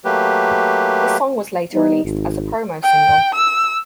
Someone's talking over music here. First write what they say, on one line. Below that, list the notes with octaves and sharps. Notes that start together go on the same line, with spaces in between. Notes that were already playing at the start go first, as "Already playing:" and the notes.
The song was later released as a promo single.
F#3 A3 A#3 G4 B4
G3 B3 D#4
G#1
G5
E6